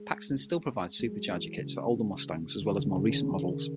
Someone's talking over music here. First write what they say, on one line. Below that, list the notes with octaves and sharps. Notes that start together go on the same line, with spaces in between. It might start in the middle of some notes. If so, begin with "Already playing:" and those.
Paxton still provides supercharger kits for older Mustangs as well as more recent models.
Already playing: G#3
G#3
F#3
E3
C#3
D#3
C#3
C#3
D#3